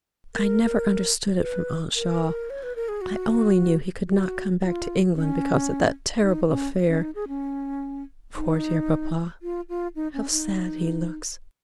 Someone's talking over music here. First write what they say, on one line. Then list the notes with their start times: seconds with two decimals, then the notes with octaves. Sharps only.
I never understood it from Aunt Shaw; I only knew he could not come back to England because of that terrible affair. Poor dear papa! how sad he looks!
0.35 A#4
1.41 B4
1.95 A#4
2.50 C#5
2.63 B4
2.76 A#4
2.89 G#4
3.01 F#4
4.08 F#4
4.62 F4
5.15 C#4
6.21 D#4
6.48 C#4
6.89 C#4
7.01 D#4
7.15 G#4
7.28 C#4
8.36 D#4
9.42 F4
9.69 F4
9.95 D#4
10.13 C#4
10.31 D#4